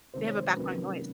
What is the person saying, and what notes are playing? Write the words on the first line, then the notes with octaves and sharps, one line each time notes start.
They have a background noise.
C3 D#3 G#3 C5
C#5
C5
C3 D#3 F#3 A#3 C#4 B4